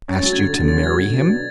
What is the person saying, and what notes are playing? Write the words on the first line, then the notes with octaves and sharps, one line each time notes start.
"Asked you to marry him?"
C#4 A6
F#3 A6
G#6
D3
D3 A6
C#4 A6
F#3 G#6
D3 G#6
B2
D4